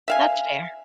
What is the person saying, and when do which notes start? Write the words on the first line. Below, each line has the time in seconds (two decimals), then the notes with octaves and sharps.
That's fair.
0.08 E5 F5 G#5